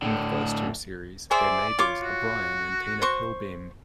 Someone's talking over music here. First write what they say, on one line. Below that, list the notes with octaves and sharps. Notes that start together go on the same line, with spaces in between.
In the first two series, their neighbours are Brian and Tina Pillbeam.
A2 D3
G#4 C5 D5 E5
F4 C#5 D6
F#4
C5 C#6